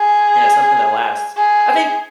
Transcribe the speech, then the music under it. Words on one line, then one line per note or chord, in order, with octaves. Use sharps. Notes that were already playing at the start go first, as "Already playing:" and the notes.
Yeah, something that lasts. I think,
Already playing: G#4
G#4